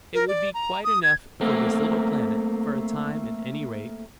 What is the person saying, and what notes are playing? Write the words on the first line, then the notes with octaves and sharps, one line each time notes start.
It would be quite enough for this little planet, for a time, at any rate.
A#4
D5
A#5
D#6
G#6
A3 A#3 C4